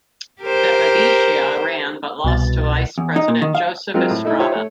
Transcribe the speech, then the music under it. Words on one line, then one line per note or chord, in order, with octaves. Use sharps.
De Venecia ran but lost to Vice President Joseph Estrada.
G4 A#4 C5
C2 B2 A6
E2
D#4
A#2
D#3
F5
F#3 G#3 C4 F4 A#4
A2
A3 D#4 E4
F4 G4 C5 C#5 E5
A3 C#5